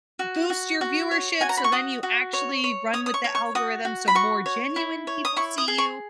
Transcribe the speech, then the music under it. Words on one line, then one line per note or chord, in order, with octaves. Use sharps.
boost your viewership, so then you actually run with the algorithm, so more genuine people see you,
F#4
F#4
F#4
C#5
F#4 G#5
A#5
B5
C#6
F#4 D#6
F#4
C#5
C#5
C#5 D#6
D#6
C#6
C#5
C#6
F#4 D#6
F#4
B5
F#4 C#6
C#5
E4
C#5
D#6
E4 C#6
D#6
G#4
C#6